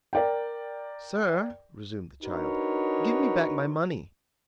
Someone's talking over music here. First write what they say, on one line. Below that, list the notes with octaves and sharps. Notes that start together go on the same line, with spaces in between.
"Sir," resumed the child, "give me back my money."
A#4 D5 G5
D4 D#4 F#4 A#4 B4 C#5